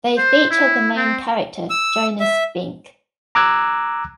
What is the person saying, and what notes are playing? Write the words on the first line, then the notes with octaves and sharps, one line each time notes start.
They feature the main character Jonas Fink.
C5
E4
C4
E6
E5
A#5 D6 E6 F#6 G#6